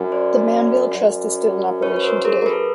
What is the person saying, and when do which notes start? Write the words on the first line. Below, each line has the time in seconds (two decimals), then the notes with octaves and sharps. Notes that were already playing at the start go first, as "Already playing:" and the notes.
The Manville Trust is still in operation today.
Already playing: F#2
0.12 C5 D5
0.97 F#2
1.82 B4 C#5
1.96 C#5
2.04 A#4 C5
2.25 G#4 A#4
2.42 A#4
2.46 A4 B4